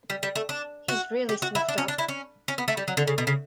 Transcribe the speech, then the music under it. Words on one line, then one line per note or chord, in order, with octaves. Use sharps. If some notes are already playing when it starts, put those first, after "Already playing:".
He’s really sniffed up.
G3
G3
A3
D4
F#4
G4
F#4
E4
D4
C#4
D4
E4
C#4
C#4
B3
A3
G3
F#3
D3
C#3
B2
C#3